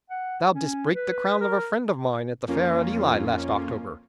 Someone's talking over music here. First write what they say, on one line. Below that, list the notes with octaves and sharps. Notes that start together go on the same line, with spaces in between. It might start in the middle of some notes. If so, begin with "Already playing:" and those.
Thou didst break the crown of a friend of mine at the fair at Ely last October.
F#5
C#4
B4
A#4
F2 A#3 C#4 F4